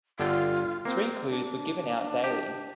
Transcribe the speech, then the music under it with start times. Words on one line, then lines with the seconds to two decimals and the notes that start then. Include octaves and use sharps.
Three clues were given out daily.
0.20 G1 D3 F4 G5
0.85 A#3 C4
1.29 D4
2.24 G4